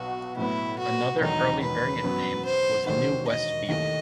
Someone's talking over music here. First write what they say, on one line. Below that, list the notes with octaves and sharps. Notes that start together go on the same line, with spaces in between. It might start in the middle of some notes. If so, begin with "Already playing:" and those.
Another early variant name was New Westfield.
Already playing: B1 B2 F#3 F#4
A2 F#3 B3 E4
F#4
E1 E2 D#3 F#3 D#4
B4
F#2 F#3 B3
C5
E1 D#2 D#3 F#3 C5
D#5
D#2 D#3 A3 E4 D#5